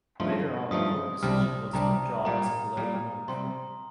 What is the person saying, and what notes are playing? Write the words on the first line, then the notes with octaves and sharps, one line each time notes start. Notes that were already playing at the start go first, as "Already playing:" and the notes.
Later on the court decision was withdrawn as a political move.
G2 F3 A3 D#4 C6
G2 F3 A3 D#4 D#6
C2 C3 G3 D4 F6
C2 C3 G3 D4 A#5
A#2 G3 A#3 A#5
A#2 G3 A#3
C3 G3 C4 C6